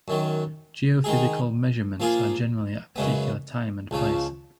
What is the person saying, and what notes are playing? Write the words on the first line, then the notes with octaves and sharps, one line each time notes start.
Geophysical measurements are generally at a particular time and place.
F#2 D#3 F#3
D#3 G#3 D#4 G#4
F3 A#3 F4 G#4
F#2 C#3 G#3 B3
C#2 C#3 F3